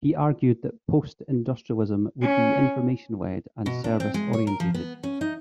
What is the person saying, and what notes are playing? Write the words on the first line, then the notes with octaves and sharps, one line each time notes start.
He argued that post-industrialism would be information-led and service-oriented.
C#4
B2
D4
C4
G#3
C#5
A#4
F3
B3
C#4
D#4